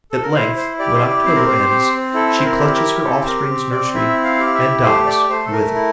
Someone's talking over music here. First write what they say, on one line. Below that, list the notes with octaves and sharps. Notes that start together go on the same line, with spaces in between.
At length, when October ends, she clutches her offspring's nursery and dies withered.
A4
A#4
E4 C5
C5
G4 D5
C5
D5
C4 C5
A#4
C5
C4
E4 A4
C5
A#4
G4
A#4
C4 A4
A#4
C4
D5
E4 E5
F5
G4
F5
E5
A3 C5
D5
A3 C5
A4
A#4
E4